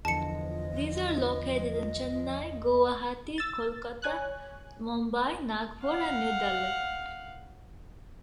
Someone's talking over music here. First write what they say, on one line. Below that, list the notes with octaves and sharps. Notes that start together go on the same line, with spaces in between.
These are located in Chennai, Guwahati, Kolkata, Mumbai, Nagpur and New Delhi.
E2 D3 F3 D#5 A5 C#7
E6 A6
C#5 G#5 F#6
F5 F#5